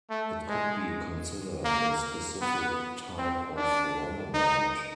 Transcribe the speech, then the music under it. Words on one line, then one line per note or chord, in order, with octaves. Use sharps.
It could be considered a specific type of runabout.
A3
G#3
A#3
B3
C4
D4
D#4